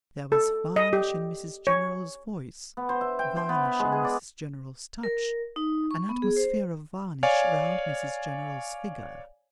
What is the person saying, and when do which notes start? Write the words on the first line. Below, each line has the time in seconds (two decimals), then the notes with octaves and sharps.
There was varnish in Mrs General's voice, varnish in Mrs General's touch, an atmosphere of varnish round Mrs General's figure.
0.32 A4
0.76 D#5
0.93 G4
1.67 C#5
2.77 B3
2.89 C5
3.01 E5
3.19 G5
3.36 C5
3.49 B3
3.65 B5
3.79 G#3
3.92 G#4
4.05 D5
5.03 A#4
5.56 D#4
5.91 C#6
6.09 B3
6.22 G#4
6.37 C5
7.23 C#5 D5 F5 G#5